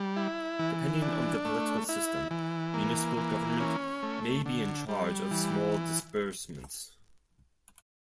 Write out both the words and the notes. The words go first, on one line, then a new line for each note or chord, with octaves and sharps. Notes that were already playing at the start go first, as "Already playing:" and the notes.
Depending on the political system, municipal government may be in charge of small disbursements.
Already playing: G3
E4
E3
D4
A3
E4
E3
A#3
E3
C#4
A3
D3
G3
E3